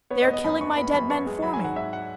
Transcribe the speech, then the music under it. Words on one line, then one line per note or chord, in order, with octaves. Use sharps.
"They are killing my dead men for me."
B3 C#5
D#5
B3
D#5
F#2 B5
F#2 C#6
B3 B5
F#2 B5
B3 C#6
G#3
F#3 B5
G#5
G#2
F#5
G#2 E5
F#5